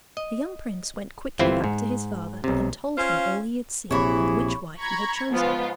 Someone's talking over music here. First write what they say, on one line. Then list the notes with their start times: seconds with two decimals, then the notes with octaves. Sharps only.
The young prince went quickly back to his father, and told him all he had seen and which wife he had chosen.
0.17 D#5
1.39 G1 E3 C4 E4 F4 C5
1.64 G#2
2.44 B1 C3
2.97 C#4 F4 C5 F5
3.91 A#1 C3 E3 E4 G#4 C#5 B5
4.79 A#5 B5 C#6 G#6
5.31 G#2 F3 B3 F4